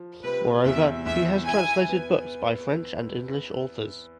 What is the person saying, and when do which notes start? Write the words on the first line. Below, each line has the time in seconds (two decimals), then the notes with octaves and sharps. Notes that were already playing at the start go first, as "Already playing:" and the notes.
Moreover, he has translated books by French and English authors.
Already playing: F3
0.23 C3 B4
0.64 E2 E5
1.06 E2 E5
1.47 E4 G#5
1.89 B3